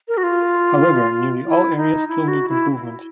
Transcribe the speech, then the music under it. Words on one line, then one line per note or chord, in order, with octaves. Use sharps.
However, nearly all areas still need improvement.
A#4
F#4
F4
E4
D#4
E4
F#4
E4